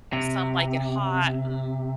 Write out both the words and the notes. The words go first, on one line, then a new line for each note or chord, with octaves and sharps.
Some Like It Hot, and
C3